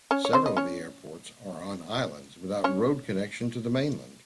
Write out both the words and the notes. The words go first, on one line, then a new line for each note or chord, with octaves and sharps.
Several of the airports are on islands without road connection to the mainland.
C#4 C#5
C#5
C4 C5
D#5
C#4 C#5
C#4 C#5